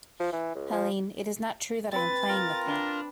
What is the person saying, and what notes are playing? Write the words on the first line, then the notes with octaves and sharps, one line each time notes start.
Helene, it is not true that I am playing with her.
F3
E3
C#2
F3
C4 B4 A6
F4 A#4 A#5
D4